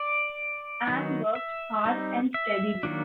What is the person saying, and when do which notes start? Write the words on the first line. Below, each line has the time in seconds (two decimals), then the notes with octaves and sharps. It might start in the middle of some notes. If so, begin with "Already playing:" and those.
Anne worked hard and steadily.
Already playing: D5
0.87 D#3 F#3 B3 D#4
1.35 E5
1.85 G3 C4 D#4
2.34 E5
2.83 D#3 F#3 A#3 D4